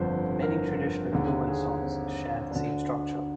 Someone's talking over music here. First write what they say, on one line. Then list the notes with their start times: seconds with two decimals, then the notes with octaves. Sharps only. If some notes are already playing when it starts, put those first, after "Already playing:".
Many traditional Tuvan songs share the same structure.
Already playing: G1 F2 D3 C5
0.42 A#4
1.12 D#2 D3 G#4
1.48 G#4
1.82 C4
2.52 D2 D3 D4